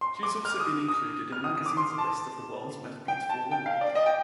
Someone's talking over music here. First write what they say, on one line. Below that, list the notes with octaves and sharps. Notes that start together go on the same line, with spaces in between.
She has also been included in magazines' lists of the world's most beautiful women.
C6
D6
F6
D#6
D#6
F6
D#6
D#6
D6
C6
A5
G5
A5
G5
F5
D5
D#5
G5